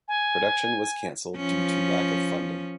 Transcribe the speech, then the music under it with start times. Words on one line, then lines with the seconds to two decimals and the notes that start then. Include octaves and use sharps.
Production was cancelled due to lack of funding.
0.08 G#5
1.36 F3 C#4